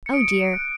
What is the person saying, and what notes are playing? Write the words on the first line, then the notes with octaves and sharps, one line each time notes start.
Oh dear!
C#7
D#6 D7
F#6